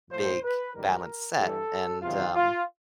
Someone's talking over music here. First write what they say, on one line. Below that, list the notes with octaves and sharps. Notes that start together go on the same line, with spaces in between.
big balanced set, and um,
A#1 A2 F3 C5
B4
A1 G#2 D#3 G3 A#4
G2 E3 G3 A4
E2 C3 D#3 F#3 F4
F4